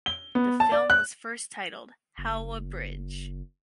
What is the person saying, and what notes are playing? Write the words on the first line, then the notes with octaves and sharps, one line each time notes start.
The film was first titled "Howrah Bridge".
G7
B3
A5
D5
F#6
F#1